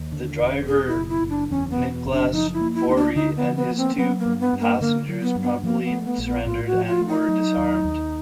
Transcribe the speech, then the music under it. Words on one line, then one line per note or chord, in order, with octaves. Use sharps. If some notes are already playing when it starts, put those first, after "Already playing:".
The driver, Nicolaas Fourie, and his two passengers promptly surrendered and were disarmed.
Already playing: D#2
D3
E1
B2 G#4
E4
F#1
E4
F#1
D4
E2 C#4
B3
B2
F#1
D4
F3 D#4
E4
A#3
E4
D2 D#4
D4
D3 D#4
B3
F3
B3
A#3
C4
F#3 B3
A#3
G2
B3
G2
A#3
D3 A#3
F#3
B3
G2
B3
F3 A#3
B3
A3
B3
A#1
B3
A2 F4
F#4
F3
F4
A3
D#4
F#3
D#2
D#2